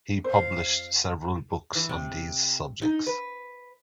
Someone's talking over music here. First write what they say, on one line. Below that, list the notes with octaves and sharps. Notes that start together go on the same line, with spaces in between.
He published several books on these subjects.
F2 C5 F5
E3
C3
D#4
B4